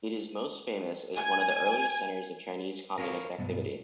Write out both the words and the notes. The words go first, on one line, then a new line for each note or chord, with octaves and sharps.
It is most famous as one of the earliest centers of Chinese communist activity.
G#5
A#4 B4 C#5 E5 F5
B1 G2 B3